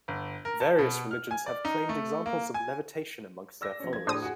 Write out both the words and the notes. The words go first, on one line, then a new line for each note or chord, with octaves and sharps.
Various religions have claimed examples of levitation amongst their followers.
G1
A#4
A5
B2
F6
G#5
D5
D#4
A3
A#3
G#5
D5 E6 A#6
F3 C#4
F3 G#6
A2 D4 G4 C5 D#6
F#4 G#4